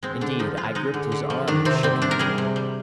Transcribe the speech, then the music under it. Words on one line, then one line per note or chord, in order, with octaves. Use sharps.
Indeed I gripped his arm and shook him.
G#3 C4
D3 D4
F3 D#4
G#3 F4
G#3 D#4
D3
D3
F3
D#3 D4
C3 C4
G3 C4
C3 D4
A#4
G3 G#4
C3
G3